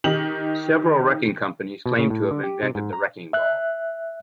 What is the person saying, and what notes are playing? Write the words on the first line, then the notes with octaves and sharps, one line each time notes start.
Several wrecking companies claim to have invented the wrecking ball.
D#3 D#4 G4 F#7
B2
C#3
A2
D3
G4
C3
G#2
A#5
E5 F#6